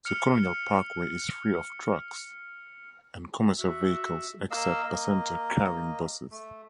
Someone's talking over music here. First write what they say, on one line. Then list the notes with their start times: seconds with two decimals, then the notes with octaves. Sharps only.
The Colonial Parkway is free of trucks and commercial vehicles except passenger-carrying buses.
0.05 F6 C#7 F7
3.57 F#4 E5
4.51 A#3 D#5 F5 E6
4.82 A#3 D#5
6.31 A3